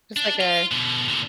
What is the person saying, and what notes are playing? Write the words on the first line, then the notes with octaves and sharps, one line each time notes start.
Just like a
D4
F4
B2 D3
A#2 D3